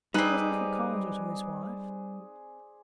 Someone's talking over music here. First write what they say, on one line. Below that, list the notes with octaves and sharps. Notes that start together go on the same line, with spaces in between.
He was a little colder to his wife.
G3 C4 D#4 G#4 B4 C5 D5